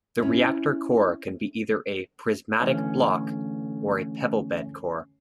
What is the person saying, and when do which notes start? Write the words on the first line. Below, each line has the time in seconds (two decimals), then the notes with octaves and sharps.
The reactor core can be either a "prismatic block" or a "pebble-bed" core.
0.20 C#4 E4
2.61 D3 E3 A3 C#4